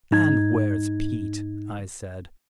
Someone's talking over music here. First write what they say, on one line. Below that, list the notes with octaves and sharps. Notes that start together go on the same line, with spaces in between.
"And where's Pete?" I said.
G#2 D#4 G#6